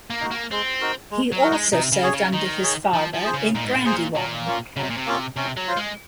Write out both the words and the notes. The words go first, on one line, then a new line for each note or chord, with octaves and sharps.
He also served under his father in "Brandywine".
A#3
D#4 F#4
A#3
G#3 C4
D#4 F#4 A#4
G#3
F#3
D#4 F#4 A#4
G#3
C3 D#4
C#3
G#4 C#5
C#3
D#3 D#4
G#4 C#5
F3 D#4
F3
G#4 C5
C#3
A#2 D#4
G#2
A#2
A#2 G#4 C5
A#2 F#3
A#3 C#4 F4
C#3 F#3
C3
A#2
C3
A#3 C#4 F4
C3 C#4
F#3
F4 C5 F5
G#3